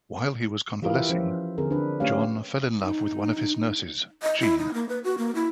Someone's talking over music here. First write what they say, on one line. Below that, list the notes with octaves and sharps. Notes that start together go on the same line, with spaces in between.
While he was convalescing, John fell in love with one of his nurses, Jean.
E3 F4 G4 A#4 B4 F5
E5
F3 C#4 C5
D3 C4 G#4 A#4
D4 B4
A3 C#4 G4 C#5 F5
D#4
D#5
E4
D#4
A#3
B4
F#4
A#3
E4